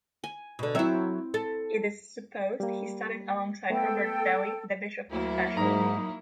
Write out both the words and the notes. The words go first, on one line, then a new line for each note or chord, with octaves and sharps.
It is supposed he studied alongside Robert Daly the Bishop of Cashel.
G#5
B2 D3
F#3 C4 E4 E5
A4
G3 A#3
A3 B3 A4 G5
D2 F#3 A#3 E4
G#2 D#4 A#5